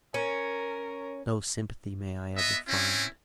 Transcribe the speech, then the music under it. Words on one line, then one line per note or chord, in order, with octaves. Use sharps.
No sympathy may I ever find.
C#4 A#4
B3 D#5 E5
C4 C#4 E4